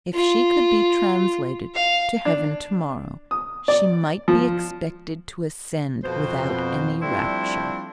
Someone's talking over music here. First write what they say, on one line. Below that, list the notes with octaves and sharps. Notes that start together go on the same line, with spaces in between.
If she could be translated to heaven to-morrow, she might be expected to ascend without any rapture.
F4
F5
D4
D#6
D5
F3
F2 B2 C5
F3 G3 A3 C4 D4 E4